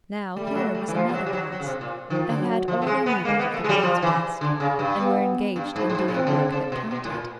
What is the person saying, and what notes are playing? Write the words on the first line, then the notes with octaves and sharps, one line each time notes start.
Now here was another class, that had all they needed of the world's best and were engaged in doing work that counted.
G3 A3
G3
F#3
G3
E3
F3
G3
F#3
G3
F#3
F#3
C#3
C3
A#2
D#3 F3
D3
F#3
F3
A3
G#3
B3
G#3 A#3
B3
A3
G#3
G3
F3
E3
D3
C#3
G2
B3
G2
G#2
A2
G#2
A#2
A2 C4
C#3
D3
C#3
B2
B2
A2
A#2